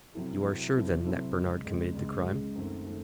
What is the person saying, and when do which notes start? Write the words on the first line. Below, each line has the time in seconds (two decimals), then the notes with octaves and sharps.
"You are sure, then, that Bernard committed the crime?"
0.14 C3 F#3 C4 E4 A4
0.45 C3 F#3 C4 E4 A4
0.74 C3 F#3 C4 E4 A4
1.05 C3 F#3 C4 E4 A4
1.36 C#2 C#3 G#3
1.65 C#2 C#3 G#3
1.95 C#2 C#3 G#3
2.25 C#2 C#3 G#3
2.55 F#2 D#3 A3 C4
2.86 D#3 A3 C4